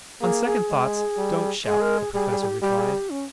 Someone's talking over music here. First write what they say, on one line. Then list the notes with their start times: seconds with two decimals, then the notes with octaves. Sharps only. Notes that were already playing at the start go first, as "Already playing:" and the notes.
"On second thoughts, don't shout," the Professor replied.
0.22 A#3 G#4
0.45 G#4
0.70 G#3
1.18 G3
1.65 G#3 G#4
1.82 A#4
1.98 G#4
2.13 G3 G#4
2.30 G#4
2.41 G#4
2.46 G4
2.62 G3 G4
2.78 G#4
2.94 G4
3.10 C#4